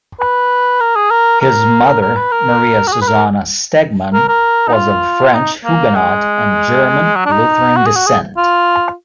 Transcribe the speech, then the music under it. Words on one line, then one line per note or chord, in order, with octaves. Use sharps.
His mother, Maria Susanna Stegmann, was of French Huguenot and German Lutheran descent.
B4
A#4
G#4
A#4
A#4
A#4
B4
A#4
F#4
G#4
B4
A#4
A#4
A#4
D#4
F4
D#4
A#3
G#3
F#3
D4
D#4
F#4
G#4
F#4
G#4
F4